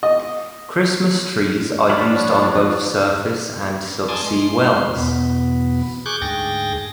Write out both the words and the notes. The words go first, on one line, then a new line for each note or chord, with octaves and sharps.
Christmas trees are used on both surface and subsea wells.
D#5
F3 D4 F#4 C#5 D5 B5 F6
D5 G#5 A5 C6 D#6
G#3 C6
E2 B2 B3
G#4 C#6 D6 F#6 G6
D2 G#2 G#4 G5 A6 A#6